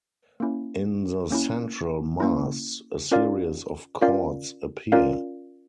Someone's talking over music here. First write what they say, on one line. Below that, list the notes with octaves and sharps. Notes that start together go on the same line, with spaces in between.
In the central mass, a series of cords appear.
A#3 C#4 E4
A#3 C#4 E4
A#3 C#4 E4
C#4 F4 A#4 D5 F5
C#4 F4 A#4 D5 F5
C#4 F4 A#4 D5 F5